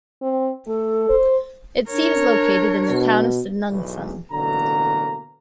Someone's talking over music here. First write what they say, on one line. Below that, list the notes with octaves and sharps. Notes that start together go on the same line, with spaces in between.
Its seat is located in the town of Stenungsund.
C4
A3 A4
C5
D4 A#4 C#5
B2
B1 E2
A1 B2 D3 F#3 A#3 A#5